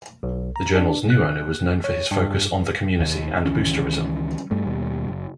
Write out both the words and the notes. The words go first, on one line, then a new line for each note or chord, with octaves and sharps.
The Journal's new owner was known for his focus on the community and boosterism.
B1
A#5
D4
F#6
C#5
G2
D#2
C#2 D#3 E3 C#4
G2 G3 A3
D#2 B2 G3
F#1